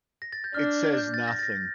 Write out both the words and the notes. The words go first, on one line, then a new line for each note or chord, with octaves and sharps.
It says nothing.
A#6
A6
G6
D4 F6
G6
A6
A#6
A6
A#6